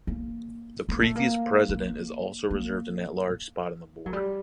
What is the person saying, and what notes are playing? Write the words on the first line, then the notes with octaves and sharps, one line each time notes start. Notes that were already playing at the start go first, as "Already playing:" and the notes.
The previous President is also reserved an "At Large" spot on the board.
A#3
A#3
A3
A#3
A#3
A#3
F#3
G3